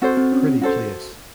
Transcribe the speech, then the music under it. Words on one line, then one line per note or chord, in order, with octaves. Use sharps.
Pretty place.
C4 F#4 A4 C5
C4
C#4
F#4 A4 C5